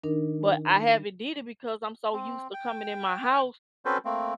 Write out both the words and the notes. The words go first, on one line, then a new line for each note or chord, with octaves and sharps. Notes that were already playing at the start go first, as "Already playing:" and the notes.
but I haven't did it because I'm so used to coming in my house.
D#3 D4 D#4 A#4
C4
G5
C4 C#4 F#4 A4 B4 C5
A3 A#3 C4